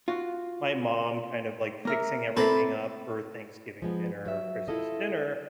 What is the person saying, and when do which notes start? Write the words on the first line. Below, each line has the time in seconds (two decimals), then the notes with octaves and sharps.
my mom kind of, like, fixing everything up for Thanksgiving dinner or Christmas dinner,
0.08 F4 F#4
1.85 A#3 A#4 E5
2.37 A#3 C4 E4 A4 B4
3.82 F3 G#3 B3
4.25 F#3 E5
4.68 E4 F4 A4 D#5